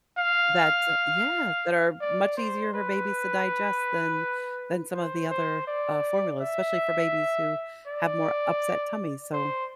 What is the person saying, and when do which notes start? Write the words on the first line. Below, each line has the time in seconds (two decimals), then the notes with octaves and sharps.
that yeah, that are much easier for babies to digest than than some of the other, uh, formulas, especially for babies who have more upset tummies, so
0.18 F5
2.01 D5
2.37 C5
2.74 B4
4.94 C5
5.30 C5
5.67 D5
6.41 E5
7.86 D5
9.33 C5